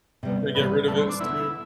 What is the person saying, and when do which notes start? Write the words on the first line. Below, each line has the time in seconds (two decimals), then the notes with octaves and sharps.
Gonna get rid of it soon.
0.23 C3 G3 B3
0.55 D2 C3 E3 G3 B3
0.88 D2 C3 E3 G3 A3
0.98 C4
1.09 D4
1.20 E2 B2 A3 E4